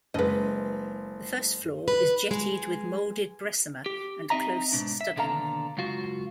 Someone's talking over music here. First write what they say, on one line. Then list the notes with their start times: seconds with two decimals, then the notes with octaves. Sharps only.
The first floor is jettied with moulded bressumer and close studding.
0.14 F#1 G#3 B4 D#5
1.88 B4
2.31 G#3
3.86 G4
4.30 C4 D4 D#4 D#5 E5 A#5
4.72 G#2 B2 D4
5.01 E5
5.16 D#2 B2 D3 A4 F5 A#5
5.77 C#2 F#2 F4 F#4